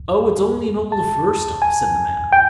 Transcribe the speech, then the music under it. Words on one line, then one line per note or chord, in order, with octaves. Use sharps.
'Oh, it's only an old fir-stump', said the man.
A5
G#5
G5